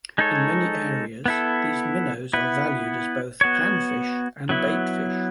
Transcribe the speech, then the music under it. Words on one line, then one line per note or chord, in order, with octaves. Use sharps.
In many areas these minnows are valued as both panfish and baitfish.
G#3 D#4 A4 C#5
B3 E4 A4
B3 E4 B4
B3 F#4 C#5
F#3 B3 E4